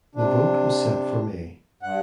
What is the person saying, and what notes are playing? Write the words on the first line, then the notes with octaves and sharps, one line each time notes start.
The vote was set for May.
C3 D4
G2 F#5